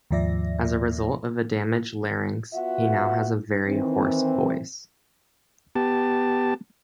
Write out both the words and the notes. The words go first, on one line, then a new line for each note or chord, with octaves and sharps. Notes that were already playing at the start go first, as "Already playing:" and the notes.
As a result of a damaged larynx, he now has a very hoarse voice.
D#2 G#2 F3 D5 E5 A#6
B3 F4 F#4 E5 F#5
D#3 E3 C4
B3 G4 A5